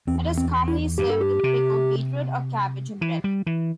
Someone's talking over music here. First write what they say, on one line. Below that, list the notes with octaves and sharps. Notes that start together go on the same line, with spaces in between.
It is commonly served with pickled beetroot or cabbage and bread.
E2 C4
C4
E4
G2 G4
A4
G4
C3
E3
G3
E3